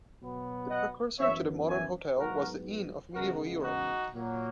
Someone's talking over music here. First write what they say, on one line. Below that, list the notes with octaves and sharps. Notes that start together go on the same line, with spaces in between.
The precursor to the modern hotel was the inn of medieval Europe.
B2 F#3 B3
D#5 F#5
F#2 E3 B3 C#5 E5
E5 G#5
G#2 F#3 B3 F#4 A#4
E2 C#3 G#3 B3 F#4 A#4
D#4 F#4
A#2 F#3 A#3